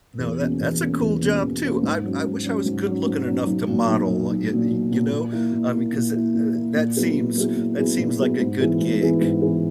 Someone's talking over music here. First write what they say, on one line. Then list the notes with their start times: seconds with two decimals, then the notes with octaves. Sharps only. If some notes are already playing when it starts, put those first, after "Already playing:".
no that that's a cool job too. I I wish I was good looking enough to model, y y you know? I mean, 'cause eh eh that seems that seems like a good gig.
0.19 E2
0.40 B2 A#3 C#4
0.61 E2
0.80 B2 A#3 C#4
1.01 E2
1.22 B2 A#3 C#4
1.43 E2
1.62 B2 A#3 C#4
1.83 G#2
2.04 F#3 C#4
2.24 G#2
2.45 F#3 C#4
2.66 G#2
2.85 F#3
2.90 C#4
3.06 G#2
3.26 F#3 C#4
3.47 B1
3.67 A#2 F#3
3.88 B1
4.08 A#2 F#3
4.29 B1
4.50 A#2 F#3
4.71 B1
4.91 A#2 F#3
5.11 A#2
5.32 A#3 E4
5.52 A#2
5.73 A#3 E4
5.93 A#2
6.14 A#3 E4
6.34 A#2
6.55 A#3 E4
6.76 A#2
6.96 F#3 B3 E4 G#4
7.17 A#2
7.37 F#3 B3 E4 G#4
7.57 A#2
7.77 F#3 B3 E4 G#4
7.98 A#2
8.19 F#3 B3 E4 G#4
8.40 G#2
8.60 E3 B3 E4 G#4
8.81 G#2
9.01 E3 B3 E4 G#4
9.21 G#2
9.41 E3 B3 E4 G#4